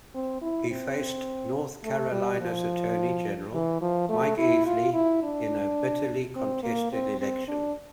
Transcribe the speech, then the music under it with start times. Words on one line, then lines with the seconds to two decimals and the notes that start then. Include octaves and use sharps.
He faced North Carolina's attorney general, Mike Easley, in a bitterly contested election.
0.15 C4
0.42 E4
0.70 C4
1.84 A3
2.12 G3
2.41 F3
3.53 E3
3.81 F3
4.09 A3
4.38 E4
4.66 F4
4.94 E4
5.23 D4
6.36 C4
6.63 A#3
6.92 C4
7.20 C4
7.48 D4